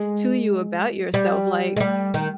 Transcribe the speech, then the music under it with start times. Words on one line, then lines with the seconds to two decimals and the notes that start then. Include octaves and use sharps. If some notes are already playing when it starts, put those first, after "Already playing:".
to you about yourself, Like,
Already playing: G#3
1.14 G3
1.77 G#3
1.80 G3
2.14 D#3